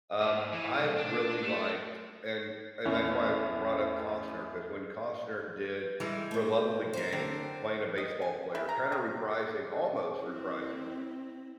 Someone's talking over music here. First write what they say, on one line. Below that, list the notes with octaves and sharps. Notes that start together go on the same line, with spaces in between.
um, I've really liked and and that's why I've brought up Costner, 'cause when Costner did For Love of the Game, playing a baseball player, kinda reprising- almost reprising-
G#2
E3
C2
D4
A3
E2 A3 C#4
E3 G3 G#3
A3 C5
A#4 C5
D3 C4
D#5
G#5
E4
A#5
C3
C4 E4